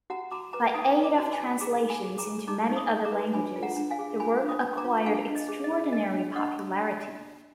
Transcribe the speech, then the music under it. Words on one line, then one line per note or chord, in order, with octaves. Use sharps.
By aid of translations into many other languages, the work acquired extraordinary popularity.
F#4 F#5 A#5
F#4 A#5 D6
B4 A#5 D6
D#4 B5 D#6
B4
A#5 D6
F#4
G#5 B5
D#4
G#4 A#5 D6
D#4
G#5 B5
G#4
A#5 D6
G#4
D#4 A#5 D6
D#4
B5 D#6
D#4
A#5 D6
B4
D4 G#5 B5
F4
F#5 A#5
D4
F5 G#5
G#4
F4 G#5 B5
D4
B5 D#6
B4
A#5 D6
F4
D4 F5 G#5
D4
D#5
G#4
D#5
G#4
D4 D#5
D4
D4 D#5 F#5